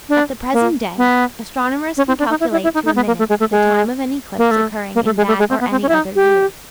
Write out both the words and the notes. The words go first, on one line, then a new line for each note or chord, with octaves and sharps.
At the present day astronomers can calculate to a minute the time of an eclipse occurring in that or any other year.
D4
A#3
B3
C#4
C4
D4
D#4
E4
E4
E4
D#4
D#4
B3
A#3
A3
G#3
A3
G#3
A#3
A3
A#3
A3
G#3
A3
G#3
C4
B3
C4
C#4
E4
D#4
G4